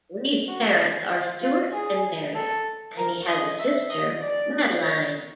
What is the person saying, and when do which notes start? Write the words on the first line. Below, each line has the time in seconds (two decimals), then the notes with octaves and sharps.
Reed's parents are Stuart and Mary, and he has a sister, Madeline.
0.48 F#4
1.11 F4
1.42 F4
1.73 G#4
2.35 A4
2.96 A#4
3.28 D#5
3.59 E5
3.89 D#5
4.21 D5
4.82 C#5